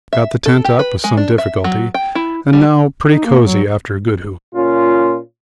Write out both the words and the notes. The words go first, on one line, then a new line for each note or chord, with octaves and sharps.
Got the tent up with some difficulty, and now pretty cosy after good hoosh.
E5
A4
G4
B4
G#3
D4
E5
F#3
G5
E4
G3
D#4
A#3
F#3
A#2 C#4 F4